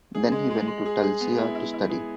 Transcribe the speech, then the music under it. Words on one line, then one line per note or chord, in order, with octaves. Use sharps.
Then he went to Tulcea to study.
G#4
G#3
G#3
G#3
G#4
G#4
B3
E4
E4
E4
G#4